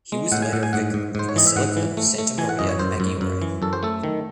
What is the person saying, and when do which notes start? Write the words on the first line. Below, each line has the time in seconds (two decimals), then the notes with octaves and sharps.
He was later Vicar of the Basilica of Santa Maria Maggiore.
0.12 G#3
0.32 A2 F#5
0.42 G#5
0.53 A2 F#5
0.63 G#5
0.73 G#2 F#5
0.94 G#2
1.15 G#2 C5
1.29 C#5
1.36 E3 D#5
1.47 E5
1.56 G#2 F#5
1.77 E3
1.97 A3
2.18 A3
2.38 E3 G#5
2.49 F#5
2.59 F#2 D#5
2.69 C#5
2.79 F#2 C5
3.00 F#2
3.21 F#2
3.42 E3
3.62 F#2 A4
3.73 C5
3.83 A3 A4
4.03 D#3